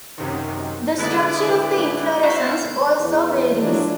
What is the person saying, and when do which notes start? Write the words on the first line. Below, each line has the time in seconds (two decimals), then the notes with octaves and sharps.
The structure of the inflorescence also varies.
0.18 F#2 C3 D#3
0.98 D3 G#3 E4 B4 D5
2.23 E4 F#4 C5 E5 F5
3.00 E2
3.61 F3 F#3 G#3 D4 E4 F#4